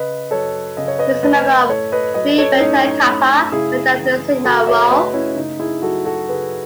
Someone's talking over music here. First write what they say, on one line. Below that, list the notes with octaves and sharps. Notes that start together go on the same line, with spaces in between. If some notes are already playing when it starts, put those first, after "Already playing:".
He was a member of Phi Beta Kappa and Delta Sigma Rho.
Already playing: C#3 B4 D#5
F#3 A4 C#5
C#3 D#5
C#5
B4 D#5
A3 B4 D#5
A2 A4 C#5
B4 D#5
F#3 B4 D#5
A4 C#5
C#4
A2 D#4
A3
C#3 E4 G#4
E3
C#3 F#4 A4
C#5 E5
E5
A3 B4 D#5
C#4 E4
C#3 D#4
E4 G#4
F#3 F#4 A4
F#4 A4
C#3 G#4 B4